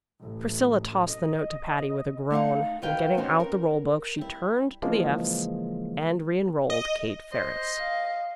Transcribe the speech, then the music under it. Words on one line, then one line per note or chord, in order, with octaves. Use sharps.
Priscilla tossed the note to Patty with a groan, and getting out the roll-book, she turned to the F's and reenrolled Kate Ferris.
A1
D#5
A3 D#4 F5 F#5
B2 D#3 A#4 B4 F5 G5
B3 C#4 D#4 F#4 C5
A#4
G3 E4
C#3 E3 F3 G#3 A#3
D#5
C5 D#5
F5